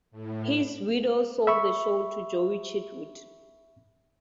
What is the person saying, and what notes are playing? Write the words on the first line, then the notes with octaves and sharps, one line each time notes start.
His widow sold the show to Joie Chitwood.
A2
E5 B5 C#6